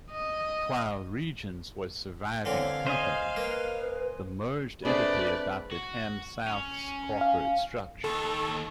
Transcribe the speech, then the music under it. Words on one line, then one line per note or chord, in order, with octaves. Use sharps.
While Regions was surviving company, the merged entity adopted AmSouth's corporate structure.
D#5
D3 E3 C4 C#5 F5
C5 D#5 G#5
A#3 B4
A3 C4 D4 G#4 B4 D5
F#4
C#4
F5
D#2 D#3 A4